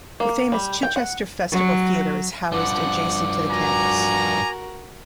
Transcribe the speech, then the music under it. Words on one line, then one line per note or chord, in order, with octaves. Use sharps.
The famous Chichester Festival Theatre is housed adjacent to the campus.
A#3
G3
G5
F#5
F#3
G2 F3 F#5 D6
F#4 A#4 G#5 A#5